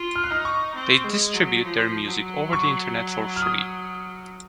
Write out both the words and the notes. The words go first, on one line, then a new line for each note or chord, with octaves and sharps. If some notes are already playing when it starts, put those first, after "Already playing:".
They distribute their music over the internet for free.
Already playing: F4
F6
F#6
D#4 F6
C#6
C4
G#3
F#3
F3
F#3
C#6
F6
D#6